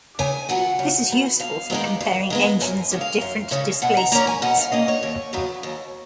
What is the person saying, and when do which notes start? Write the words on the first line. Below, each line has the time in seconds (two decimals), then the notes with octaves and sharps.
This is useful for comparing engines of different displacements.
0.19 C#3 G#5
0.49 F#3 B3 F#5
0.79 C#3
1.10 F#3 B3
1.40 F2 F5
1.70 D#3 G#3 B3
2.00 F2
2.30 D#3 G#3 B3
2.61 F#2 G#5
2.91 C#3 G#3 C#4
3.01 F5
3.21 F#2
3.51 C#3 G#3 C#4
3.82 B2 F#5
3.97 A#5
4.12 A#3 C#4 A#5
4.27 G#5
4.42 B2 F#5
4.58 F5
4.72 A#3 C#4 D#5
4.88 C#5
5.03 D#2
5.33 C#3 F#3 B3
5.63 D#2